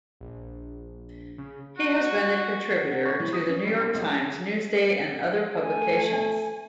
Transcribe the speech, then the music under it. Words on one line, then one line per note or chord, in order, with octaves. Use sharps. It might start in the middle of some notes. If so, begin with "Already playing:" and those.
He has been a contributor to "The New York Times", "Newsday" and other publications.
A#1
C#3
F#4
F#5
C#6
E3
D#6
C#4
G3
B1
C#2
A3 G#5